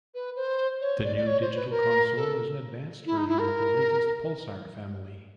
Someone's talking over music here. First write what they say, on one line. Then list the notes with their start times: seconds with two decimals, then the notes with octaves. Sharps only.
The new digital console is an advanced version of the latest Pulsar family.
0.15 B4
0.36 C5
0.81 C#5
1.04 D5
1.17 D5
1.27 C#5
1.41 C5
1.56 B4
1.71 A#4
2.16 A4
3.06 E4
3.17 D#4
3.28 E4
3.39 A#4